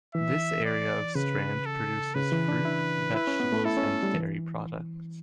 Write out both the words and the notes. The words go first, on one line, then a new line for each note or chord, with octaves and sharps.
This area of Strand produces fruit, vegetables, and dairy products.
E3 E5
D5
C#3 B4
A4
C#3 B4
E3
D4
E4
E4 B4
C#4
B3
A3
E4 A4
C#4
G3
E3